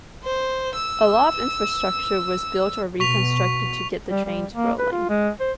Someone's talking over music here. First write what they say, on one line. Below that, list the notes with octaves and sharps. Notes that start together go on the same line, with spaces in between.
A lot of infrastructure was built or reconstructed to get the trains rolling.
C5
E6
B2 C#6 B6 F7
G3
G3
A#3
B4
F4
G#3
C5